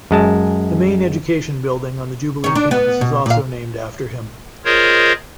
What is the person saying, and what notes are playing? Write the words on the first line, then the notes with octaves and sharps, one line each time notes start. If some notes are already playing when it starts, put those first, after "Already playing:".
The main education building on the Jubilee Campus is also named after him.
F#2 G#3 A5
D#3 C#5
D4
B3
B2
A#2 F5
F4 G#4 A#4 C5 C#5 D#5